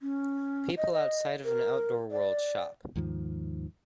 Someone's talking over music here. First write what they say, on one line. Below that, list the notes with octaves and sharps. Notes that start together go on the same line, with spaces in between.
People outside of an Outdoor World shop.
C#4
D#5
D#5
A#4
D5
D#2 G#2 D#3 F3